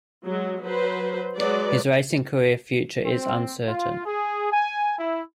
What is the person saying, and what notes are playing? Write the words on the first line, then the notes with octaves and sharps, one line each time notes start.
His racing career future is uncertain.
F#3 G#3
F#3 B4 C5
F#3 G#3 B4 D5
C4
F4
G#4
G#5
E4